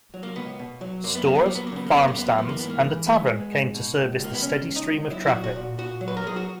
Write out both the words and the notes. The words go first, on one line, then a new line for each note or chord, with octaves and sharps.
Stores, farm stands, and a tavern came to service the steady stream of traffic.
F#3
A#3
C#2 B3
B2
F#3
F#2 A#3
B3
F#3 A#3
B3
F#3 A#3
B3
A#3
C#3 B3
A#3
F#2 B3
A#3
F#2 B3
A#3
E3 B3
A#3
G#2 B3
A#3
E3
G#3 B3
G#3
G#2
B2
C#2
C#2 A#3
B3
C#2 C#4
C#2
D#4
C#2
F#3 E4
E4
F#4
A#2
F#4
A#2
A#2 F#4
F#3
B4
A#4
F#3 G#4
F#4